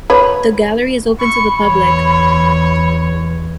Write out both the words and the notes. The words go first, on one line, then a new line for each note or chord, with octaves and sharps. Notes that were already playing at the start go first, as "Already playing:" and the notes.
The gallery is open to the public.
B4 C#5
B5 C#6
E2 C#5